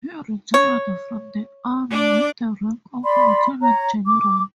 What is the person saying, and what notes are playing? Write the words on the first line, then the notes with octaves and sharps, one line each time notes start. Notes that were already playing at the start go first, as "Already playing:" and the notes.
He retired from the army with the rank of lieutenant general.
C#5
D4 D5
D5 B5 C6
C#5 A#5
D6